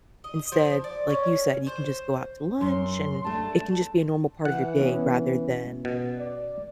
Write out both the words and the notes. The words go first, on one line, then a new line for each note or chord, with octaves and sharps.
Instead, like you said, you can just go out to lunch, and, it can just be a normal part of your day rather than
D#5
F3
D5
C#4
C5
F#2 C6
A3 D4 A5
E3 F#5
B3 C#4
B2
D5